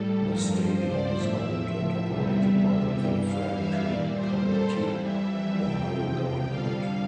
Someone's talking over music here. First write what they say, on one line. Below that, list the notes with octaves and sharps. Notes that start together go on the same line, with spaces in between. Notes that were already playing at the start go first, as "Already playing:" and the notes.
The stadium is owned and operated by the Franklin County, Ohio government.
Already playing: A2 G3 A4
G2 F3 A#4
C5
D5
A2 F3 E5
E2 C3 G3 E5
E5
G2 E3 G3 G5
F5
E5
A#2 G3 D5
C5
A4
F2 E3 G3 C5
E5
E5
F2 C3 F3 G5
F2 D3 G3 F5